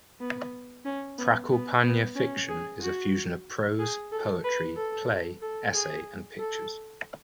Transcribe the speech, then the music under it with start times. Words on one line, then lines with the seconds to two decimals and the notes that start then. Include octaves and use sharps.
Prakalpana fiction is a fusion of prose, poetry, play, essay, and pictures.
0.21 B3
0.85 C#4
1.18 B3
1.51 B3
1.83 B3
2.15 C#4
2.48 G#4
2.81 F#4
3.79 G#4
4.12 A4
4.44 B4
4.76 A4
5.42 A4
5.74 G#4
6.39 A4